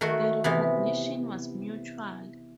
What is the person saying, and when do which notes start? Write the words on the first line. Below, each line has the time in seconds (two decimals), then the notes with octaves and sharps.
The recognition was mutual.
0.01 D#3 A3 F#4
0.44 C3 E3 B3